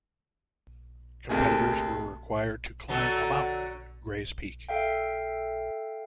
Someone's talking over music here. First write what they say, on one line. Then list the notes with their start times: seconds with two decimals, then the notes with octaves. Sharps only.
Competitors were required to climb a mountain-Gray's Peak.
1.29 D2 C3 A#3 G#4
2.88 D3 F#3 A4
4.69 A4 E5 F5 G5